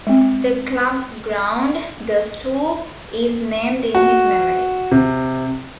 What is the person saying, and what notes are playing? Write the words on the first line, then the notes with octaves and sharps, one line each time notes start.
The club's ground, The Stoop, is named in his memory.
G#3 C4
F#4
C3